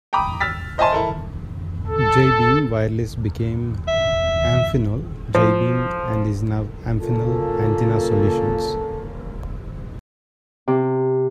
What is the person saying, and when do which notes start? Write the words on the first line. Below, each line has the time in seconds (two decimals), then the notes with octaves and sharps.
Jaybeam Wireless became Amphenol Jaybeam and is now Amphenol Antenna Solutions.
0.13 G5 A#5 B5 D6 D#6
0.40 E6 F6 A6 B6
0.78 C5 D#5 E5 G#5 A5 C6
0.93 E4 A4 A#4
1.87 A4
3.88 E5
5.35 F3
7.01 A#2 C#3 A#3 A4
10.68 C3